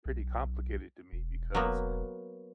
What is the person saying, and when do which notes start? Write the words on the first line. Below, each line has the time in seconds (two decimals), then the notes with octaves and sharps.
pretty complicated to me, because,
0.05 B1
1.13 E1
1.55 F#3 A#3 B3